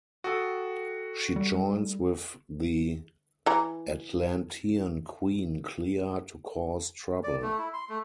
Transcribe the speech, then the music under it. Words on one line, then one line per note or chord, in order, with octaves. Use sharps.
She joins with the Atlantean Queen Clea to cause trouble.
F#4 A4 G5 D#6
G3
E3 A#5
D5
A3
E4
C6
A3